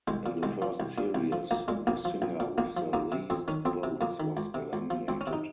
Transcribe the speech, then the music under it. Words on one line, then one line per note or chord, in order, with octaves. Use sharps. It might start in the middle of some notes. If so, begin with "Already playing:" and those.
In the first series, the singer with the least votes was eliminated.
C2 G#3
A#2
C2 G#3
F3
C2
A#2
C2
F3
A#1 A#3
A#2 G#3
A#1 A#3
F3
A#1
A#2
A#1 A#3
F3
F2 A#3
C3
F2 C4
D#3 C#4
F2 C4
C3
F2 A#3
D#3
C#2
C3
C#2
F3
C#2 C4
C#4
C3
D#4